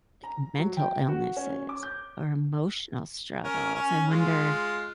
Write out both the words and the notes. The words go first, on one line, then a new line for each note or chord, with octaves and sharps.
like, mental illnesses, or emotional struggles? I wonder,
A#5
F#3
G5
F#4
C#4
D6
G6
C#4 A#4
C#4
G#3 F4